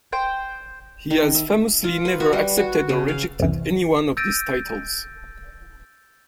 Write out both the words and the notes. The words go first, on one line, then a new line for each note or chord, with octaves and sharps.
He has famously never accepted or rejected any one of these titles.
C5 G5
D#3
E5
F4
B4
F#4
G3
F#4
C#3
F5
C2 F2 E3
E6 G6 A6 A#6 D7 D#7